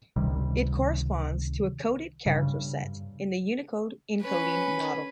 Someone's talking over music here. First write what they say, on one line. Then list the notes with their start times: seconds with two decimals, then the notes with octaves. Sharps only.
It corresponds to a "coded character set" in the Unicode encoding model.
0.16 C#2 C3 D#3 G3
2.26 G2 C#3
4.21 C#4 B4